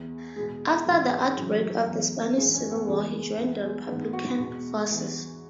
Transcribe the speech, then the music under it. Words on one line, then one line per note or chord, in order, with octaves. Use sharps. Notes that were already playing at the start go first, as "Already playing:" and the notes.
After the outbreak of the Spanish Civil War he joined the republican forces.
Already playing: E2 E3
E2 B2 G#3
G#2 E3
F#2 C#3 E3 F#3
F#3
E2 E3
F#2 E3 G#3
C#4
B3
E2 C#3 E3 G#3
E2 E3 B3
G#3
G#2 E3 B3
F#4
E2 B2 F#4
E2 E3